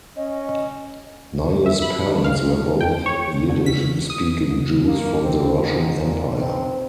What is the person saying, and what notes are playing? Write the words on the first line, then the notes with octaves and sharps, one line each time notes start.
Nye's parents were both Yiddish speaking Jews from the Russian Empire.
C#4 D#5
E5
B5
D#3
F5
C#2
G5
C#5
E2
D3
B6
E2
D#6
A#3
C4
G#2
A#2
C4